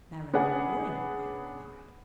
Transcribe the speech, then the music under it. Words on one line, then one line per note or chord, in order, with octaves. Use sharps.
"Marilyn Loring?" I inquired.
B3 C#4 D4 G#4 F#5